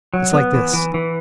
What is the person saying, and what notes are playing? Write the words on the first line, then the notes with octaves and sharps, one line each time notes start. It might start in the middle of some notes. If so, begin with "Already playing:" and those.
It's like this.
F#3
B3
E3
E3
E3